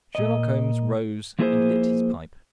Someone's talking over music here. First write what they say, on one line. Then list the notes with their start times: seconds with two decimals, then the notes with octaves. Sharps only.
Sherlock Holmes rose and lit his pipe.
0.15 A#2 D#5
1.39 F3 A#3 E4 G#4 C5